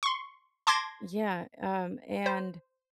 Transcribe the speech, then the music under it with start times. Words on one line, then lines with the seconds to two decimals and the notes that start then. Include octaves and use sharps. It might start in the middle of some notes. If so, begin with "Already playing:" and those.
Yeah, um, and
0.03 C6 C#6
0.67 A5 C6 D6 G#6 A#6
2.26 C5